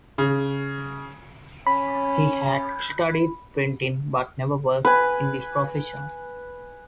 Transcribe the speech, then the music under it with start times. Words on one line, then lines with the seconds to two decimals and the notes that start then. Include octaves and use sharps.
He had studied printing, but never worked in this profession.
0.18 C#3
1.67 C#4 B5
4.85 B4 G#5